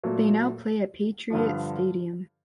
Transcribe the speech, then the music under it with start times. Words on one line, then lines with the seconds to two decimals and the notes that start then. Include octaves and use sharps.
They now play at Patriot Stadium.
0.03 A#2 F#3 A3
1.30 G2 D3 F3